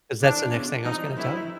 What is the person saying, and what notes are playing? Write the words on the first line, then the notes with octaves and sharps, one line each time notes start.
'cause that's the next thing I was gonna tell ya.
D2 C3 E3 A3 C4 D4
C#2 B2 G#3 C#4 F4
E3 G3 C4 D#4 F4
F3 A3 D4 E4 G4 B4